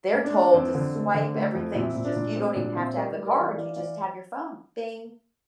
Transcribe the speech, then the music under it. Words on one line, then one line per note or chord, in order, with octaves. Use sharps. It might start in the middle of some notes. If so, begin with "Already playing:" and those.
they're told to swipe, everything's just you don't even have to have the card, you just have your phone, "Bing,
A#3
D4
A#3
F2 C4
D3
A3
D3
A3
F2
A#2 C4 E4
A#2
D4
A#2
A3 C4
A#2 D4
A#2 C4 E4
G3 A#4 D5
G3
A#4 D5
E3
E3 D5 F5
E3 D5 F5